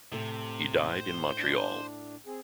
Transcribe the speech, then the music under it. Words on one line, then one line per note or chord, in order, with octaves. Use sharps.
He died in Montreal.
A2 C3 A4
C5
D4
C4 G#4